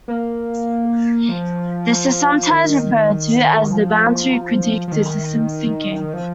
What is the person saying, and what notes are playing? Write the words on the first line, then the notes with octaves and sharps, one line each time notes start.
This is sometimes referred to as the boundary critique to systems thinking.
A#3
F3
D#3
F3
F3
D#3
F3